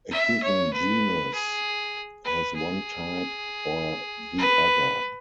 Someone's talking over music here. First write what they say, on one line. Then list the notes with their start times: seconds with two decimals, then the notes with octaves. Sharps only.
A given genus has one type or the other.
0.11 E5
0.42 C#5
0.73 B4
1.34 G#4
2.25 B4
2.56 G#4
4.38 B4